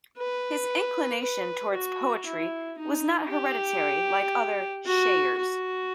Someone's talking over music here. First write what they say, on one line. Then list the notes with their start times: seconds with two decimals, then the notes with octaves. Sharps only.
His inclination towards poetry was not hereditary like other "shayars".
0.18 B4
1.22 B4
1.74 F#4
2.26 E4
2.78 D#4
3.30 G4
4.86 F#4
5.38 F#4